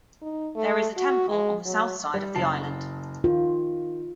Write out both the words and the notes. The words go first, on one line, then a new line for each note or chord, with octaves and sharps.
There is a temple on the south side of the island.
D#4
A3
F#4
G#3
F#3
G3
F#1 A5 C7
D#3 F4